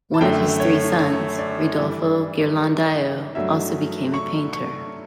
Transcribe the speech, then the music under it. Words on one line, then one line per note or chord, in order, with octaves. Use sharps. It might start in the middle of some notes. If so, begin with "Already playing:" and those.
One of his three sons, Ridolfo Ghirlandaio, also became a painter.
A5
F#2 D3 A3 G5
C#5
C#5
D5
G2 E3 G3
G2 F#3 A3 E5
C#6
C#6